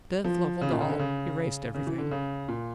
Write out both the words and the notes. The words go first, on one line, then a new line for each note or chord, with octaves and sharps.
Death levelled all, erased everything.
F3
C#3
A#2
C#3
D3
C#3
C#3
E3
D3
C#3
A#2